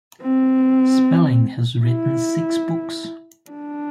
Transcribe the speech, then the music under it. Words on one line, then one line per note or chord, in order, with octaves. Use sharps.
Spelling has written six books.
C4
E4
D4